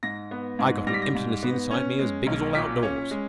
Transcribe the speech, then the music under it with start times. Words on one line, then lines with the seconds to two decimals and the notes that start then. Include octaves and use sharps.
I got an emptiness inside me as big as all outdoors.
0.03 G#2 A#6
0.31 B3
0.59 G#2
0.87 G3 A#6
0.94 B6
1.02 A#6
1.15 G#2
1.43 B3
1.71 C#4
1.99 G#3
2.27 B1
2.55 A#2 B6
2.83 C#4
3.11 G#3